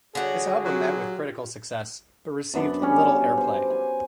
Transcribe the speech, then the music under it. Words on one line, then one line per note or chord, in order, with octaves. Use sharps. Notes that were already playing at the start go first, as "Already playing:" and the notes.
This album met with critical success but received little airplay.
D3 G3 F#4 G#4 C#5 D#5
F#3 F4 G4
F#2 B3 D4
G3 C#4
C5
G#5